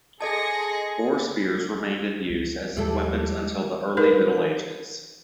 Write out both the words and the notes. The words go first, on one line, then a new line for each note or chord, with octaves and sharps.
Boar spears remained in use as weapons until the early Middle Ages.
G#4 A4 D#5 A5 C6 A#6 C#7
C#2
D#2 F3 G3 G#3 E4 A4
D#4 A#4 B4